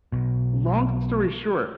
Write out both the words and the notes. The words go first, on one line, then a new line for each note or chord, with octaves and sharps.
long story short,
B1 B2